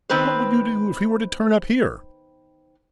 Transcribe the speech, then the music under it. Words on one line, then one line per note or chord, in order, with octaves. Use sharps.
What would you do if he were to turn up here?
D#3 B3 C4 B4 C5